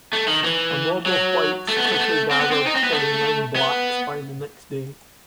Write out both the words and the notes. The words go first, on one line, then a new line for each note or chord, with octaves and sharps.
A mob of whites quickly gathered, killing nine blacks by the next day.
A3
D#3
E3
F#3
A3
B3
A3
B3
A3
C4
B3
C4
D#4
C4
B3
A3
B3